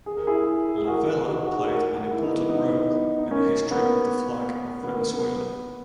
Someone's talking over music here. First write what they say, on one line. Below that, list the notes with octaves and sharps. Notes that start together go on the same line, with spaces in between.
La Vela played an important role in the history of the Flag of Venezuela.
G#4
A#4
E4 G#4
G#4
F#4 A#4
D#4 F#4
F#4
G#4
F#4 A#4
F#4 A#4
E4
B3 D#4
B3 D#4
D#4
A#3 C#4
A#3
B3
B3
A#3
A#3
B3